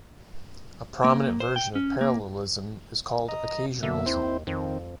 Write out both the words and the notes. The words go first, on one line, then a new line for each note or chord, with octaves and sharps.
A prominent version of parallelism is called occasionalism.
A#3
C5
G5
C#4
A#3
D#5 A#5
B2 D3 A#3 E5
D#2 C4 E4 C5
F2 D#3 C4